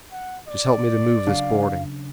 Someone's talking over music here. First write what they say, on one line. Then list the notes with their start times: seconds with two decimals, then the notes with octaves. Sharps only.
"Just help me to move this boarding."
0.12 F#5
0.48 D5
1.27 C#3 F#3 D4 F5